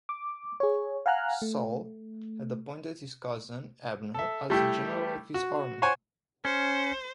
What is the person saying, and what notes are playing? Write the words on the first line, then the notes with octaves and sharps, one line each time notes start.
Saul had appointed his cousin Abner as the general of his army.
D6
G#4 C#5
F5 F#5 G#5 A#5 F6 F#6
A3
A4 E5
G3 A3 E4 G4
F#4
C5 C#5 F#5 G#5
C#4 C5 C#7